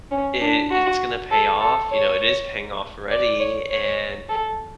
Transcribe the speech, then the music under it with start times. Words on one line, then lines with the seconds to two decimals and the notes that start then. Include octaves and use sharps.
i it's gonna pay off, you know, it is paying off already, and
0.11 C#4
0.41 D4
0.71 F#4
1.31 A4
1.60 A4
1.90 C#5
3.10 D5
3.39 C#5
3.70 C#5
4.29 A4